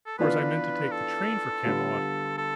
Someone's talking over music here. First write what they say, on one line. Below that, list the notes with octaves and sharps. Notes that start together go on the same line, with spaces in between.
Of course, I meant to take the train for Camelot.
A4
E3 B3 D4 F4 B4
A4
D3 G3 B3 F4
A4